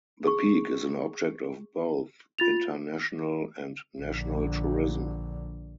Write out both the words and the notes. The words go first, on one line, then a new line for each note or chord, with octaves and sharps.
The peak is an object of both international and national tourism.
G#4 C#6
F4 A6 F7
A#1 D3